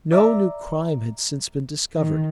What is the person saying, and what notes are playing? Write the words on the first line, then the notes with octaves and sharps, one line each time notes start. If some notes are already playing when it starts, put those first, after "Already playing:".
No new crime had since been discovered.
D5 E5 A#5
D#3